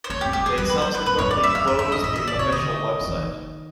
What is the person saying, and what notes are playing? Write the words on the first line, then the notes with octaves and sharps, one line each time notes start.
They subsequently closed the official website.
C5
A3 C#5
G4
A3
G3 G4
G#3 G#4
G3 B4
F#3 B4
C5
B4
A#2 B4
G2 C#5
G#2 D5
G2 E5
F#2 F5
E5
G2
E5
G#2 D#5
A2 E5
A#2 E5
D5
C3 C#5
D3 D#5
D#3
E3
D#3